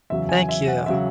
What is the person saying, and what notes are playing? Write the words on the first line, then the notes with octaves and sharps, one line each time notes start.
Thank you.
E2 C#3 F#3 E5
G#5
E5
F#5
C#3 F#3 E5